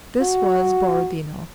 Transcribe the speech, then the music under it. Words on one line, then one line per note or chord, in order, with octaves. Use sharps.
This was Borodino.
F#4